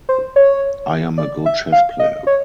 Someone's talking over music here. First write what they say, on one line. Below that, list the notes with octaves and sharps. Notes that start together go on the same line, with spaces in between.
I am a good chess player.
C5
C#5
D5
E5
F5
D#5
C#5